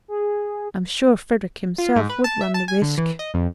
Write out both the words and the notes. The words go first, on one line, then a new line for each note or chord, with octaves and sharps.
I'm sure Frederick himself, would run the risk.'
G#4
F4
G#2
B4
A5
E5
A5
G#5
D3
E3
D#5
F2